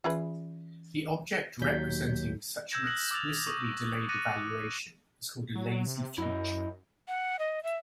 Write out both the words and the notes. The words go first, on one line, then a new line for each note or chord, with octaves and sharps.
The object representing such an explicitly delayed evaluation is called a lazy future.
E3 C#4 F4 G#4 B4 E5
D#2 F#3 G6 B6
E6 G6 G#6 A#6 E7
D#6 F6 F#6 A#6 F#7
D6 E6 F6 G6 A6 F7
C#6 D#6 F#7
D6 F#6 A6 A#6 C#7 D#7
F#3
C3
F#2 E4 D#5
F#5
D#5
E5